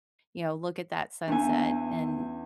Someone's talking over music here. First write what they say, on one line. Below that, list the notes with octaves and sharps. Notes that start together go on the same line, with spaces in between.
you know, look at that sunset and
E2 B3 C#4 D4 G#5